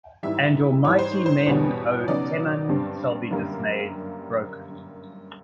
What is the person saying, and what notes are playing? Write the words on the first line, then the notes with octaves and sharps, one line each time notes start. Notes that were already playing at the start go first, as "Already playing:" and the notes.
And your mighty men, O Teman, shall be dismayed - broken.
G#2 E3 G3 E5
G#2 E3 G3 C#5
C5
C5
E2 B2 G3 B3 C#5
C#3 F#3 B3 D#4 D5
G2 D3 G3 C4
F#2 D3 G3 A#3